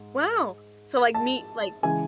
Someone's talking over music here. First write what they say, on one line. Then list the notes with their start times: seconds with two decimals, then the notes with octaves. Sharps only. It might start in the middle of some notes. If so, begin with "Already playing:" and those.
wow. So like meet like
Already playing: G#2
1.14 A5
1.83 C#3 E3 G#3 G#5